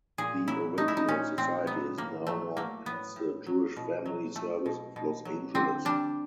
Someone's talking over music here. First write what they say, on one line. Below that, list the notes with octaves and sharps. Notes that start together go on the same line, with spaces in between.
The original society is now known as the "Jewish Family Service of Los Angeles".
A#2 G#4
F#3 E4
A3 D#4
E4
D#4
A#2 C#4
A#2 C4
F#3 B3
A2 A#3
F#3 A3
A3 A#3
A2 B3
A2
F#3
B2
F#3
A3
B2
B2
F#3
D3 C4
G3 D4